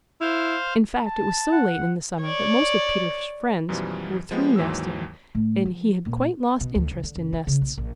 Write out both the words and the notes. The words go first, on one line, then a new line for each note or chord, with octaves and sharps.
In fact, it was so late in the summer that most of Peter's friends were through nesting and he had quite lost interest in nests.
E4 C5 F5
A5
F#5
C#5 D5
F#2 B2 E3 F3 G3
F3 G#3 B3 G4
D#2 G#2 E3 F#3 E6
A2
F3
A#2
B2
D2
C#2
D3
F#1
F4
C#3
A#1
A#1